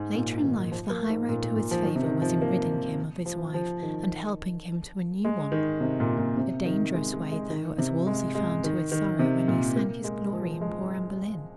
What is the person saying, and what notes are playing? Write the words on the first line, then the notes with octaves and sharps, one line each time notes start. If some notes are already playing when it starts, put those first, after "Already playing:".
Later in life the high road to his favor was in ridding him of his wife and helping him to a new one--a dangerous way though, as Wolsey found to his sorrow when he sank his glory in poor Anne Boleyn.
Already playing: G#2
A#2
D#3
F3
A#3
G#2
A#2
A#2
A#2
F3
D#3
C3
D#3
F3
A#3
F3
F3
D#3
G#3
D#3
C3
A#2
A#2
C3
D#3
G#3
G#3
G#3
D#3
C3
G#3
G#3
D#3
D#3
C3
A#2
A#3
G#3
F3
G#3